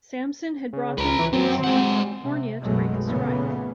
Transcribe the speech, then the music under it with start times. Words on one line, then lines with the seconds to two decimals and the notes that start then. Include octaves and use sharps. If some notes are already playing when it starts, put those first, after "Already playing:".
Sampson had brought them east from California to break a strike.
0.73 C#3
0.98 C#2 B4 A#5
1.19 E3
1.33 F#2 F#3 C4
1.64 G#3 F#5
2.20 C3
2.61 F#1 B1 B2 F#3 G#3 A3
3.06 A#2 C#3 E3 A3 B3